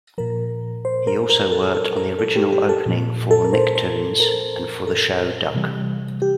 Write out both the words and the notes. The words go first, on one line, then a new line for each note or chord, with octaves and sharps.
He also worked on the original opening for Nicktoons and for the show "Doug".
A#2 F3 A#4
C5
A#4
A#4
A4
A4
A#4
A4
G4
G4
A4
A#2 F3
A4
A#4
C5
C5
A#4
A4
C3 E3 G3
G4